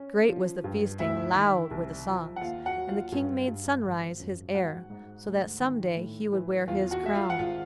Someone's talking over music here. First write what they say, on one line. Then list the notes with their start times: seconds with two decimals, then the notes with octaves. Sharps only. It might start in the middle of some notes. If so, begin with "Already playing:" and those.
Great was the feasting, loud were the songs, and the King made Sunrise his heir, so that some day he would wear his crown.
Already playing: C#4
0.28 F3
0.64 G2
0.99 D2 E4 E5
1.35 D#3
1.71 C2
2.06 F3
2.36 F#5
2.41 D#2 F4 F5
2.66 F#4 F#5
2.77 F#3
2.88 F4 F5
3.12 G2
3.48 G2
3.84 G#1
4.20 F#2
4.55 G#2 F#4 F#5
4.90 G#2
5.26 D2
5.61 D#3
5.97 A2
6.33 E3
6.68 E2 F4 F5
6.91 F#4 F#5
7.03 G#3 E5
7.15 F4 F5
7.30 F#5
7.39 G#1 F4 F5